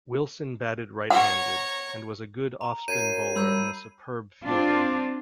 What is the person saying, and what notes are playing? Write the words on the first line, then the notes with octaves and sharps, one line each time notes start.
Wilson batted right-handed, and was a good off-spin bowler and a superb fielder.
C#5 F#5 A#5
A#5
F#2 G6 G#6 C7 D#7
G3 B5 E6 G6
C4 D4 F4